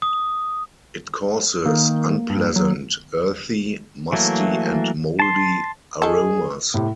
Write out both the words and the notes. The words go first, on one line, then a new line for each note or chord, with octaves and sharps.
It causes unpleasant earthy, musty and moldy aromas.
D#6
D#3 A#3
G2
F#3
E3 F#3 A3 A#3
A5 C6
D#3 G#4 A4
A2 C3